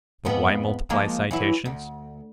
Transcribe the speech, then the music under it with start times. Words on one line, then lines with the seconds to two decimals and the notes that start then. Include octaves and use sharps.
But why multiply citations?
0.25 F2 G#2 B3
0.90 F3 G#3 A#3
1.31 E3 F#3 E4
1.66 D2